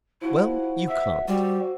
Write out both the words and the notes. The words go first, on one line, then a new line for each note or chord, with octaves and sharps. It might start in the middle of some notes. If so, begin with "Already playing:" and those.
Well, you can't.
F3 E4 F#4 F#5
E5 E6
G3 F#4 C5